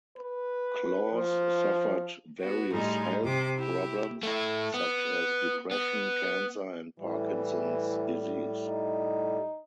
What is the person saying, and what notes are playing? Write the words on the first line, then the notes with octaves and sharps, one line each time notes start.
Claus suffered various health problems, such as depression, cancer and Parkinson's disease.
B4
F3
B3 F#4
A2 G3 G#3 D#4
C3 D6
E4 G4
A3 E4
B3
B3
A2 E3 G3
D#4